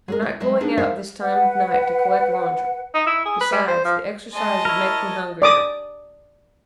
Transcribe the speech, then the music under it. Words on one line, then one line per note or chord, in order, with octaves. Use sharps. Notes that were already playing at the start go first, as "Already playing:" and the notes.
"I'm not going out this time of night to collect laundry; besides, the exercise would make me hungrier."
G#3 G#4 A#4
E4
F#3 G#3 B4 C5 D#5 E5
D4 D#4 G#4 B4
D#4 A#4 C5 E5 F5
B4 F#5
D#4
E4
G#4
B4
G3
C5
F3
G#3 D#5 A5
E4 A#4 C#5
D5 D6 D#6